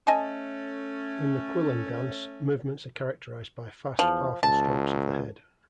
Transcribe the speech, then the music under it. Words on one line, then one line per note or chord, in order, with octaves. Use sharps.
In the qilin dance, movements are characterized by fast, powerful strokes of the head.
A3 C#4 D#5 G#5 A5
E2 F3
C#2 A5